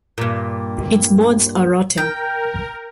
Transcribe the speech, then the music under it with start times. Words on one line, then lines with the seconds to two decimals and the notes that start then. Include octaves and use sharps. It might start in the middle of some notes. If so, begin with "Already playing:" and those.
Its boards are rotten.
0.18 G2 A#2
1.98 A#4 G5